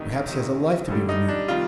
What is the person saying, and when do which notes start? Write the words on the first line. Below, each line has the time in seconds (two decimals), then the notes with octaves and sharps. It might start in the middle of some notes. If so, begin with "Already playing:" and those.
Perhaps he has a life to be renewed.
Already playing: D2 C3 D#3 D#4
0.28 D2 C3 D#3
0.88 G2 D3 G3
1.09 D#4
1.28 D4
1.48 C3 D#3 G3 F4